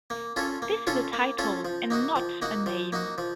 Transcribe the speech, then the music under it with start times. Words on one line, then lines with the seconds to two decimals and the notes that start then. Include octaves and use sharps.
This is a title and not a name.
0.10 A#3
0.36 C#4 F4 A4 C#5
0.62 A#3
0.87 C#4 F4 A4 C#5
1.13 A#3
1.38 C#4 F4 A4 C#5
1.65 F3
1.90 A#3 D#4 F#4
2.16 F3
2.42 A#3 D#4 F#4
2.66 F3
2.92 A#3 D#4 F#4
3.18 F3